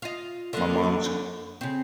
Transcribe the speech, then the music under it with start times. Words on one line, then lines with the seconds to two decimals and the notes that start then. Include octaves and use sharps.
my mom's
0.02 F4 D#5
0.53 D3 A#3
1.61 C#3 C4